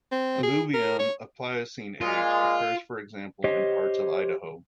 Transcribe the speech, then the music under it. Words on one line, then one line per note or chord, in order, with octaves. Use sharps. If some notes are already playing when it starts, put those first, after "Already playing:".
Alluvium of Pliocene age occurs, for example, in parts of Idaho.
C4
G#4
A#4
C#5
A#2 G#3 F4
G4 C5 C#5 D#5